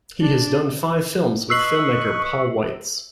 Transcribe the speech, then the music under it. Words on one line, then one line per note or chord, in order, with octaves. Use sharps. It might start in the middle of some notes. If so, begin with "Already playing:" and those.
He has done five films with filmmaker Paul Weitz.
D4
B4 D#5 C#6 E6 C7 F#7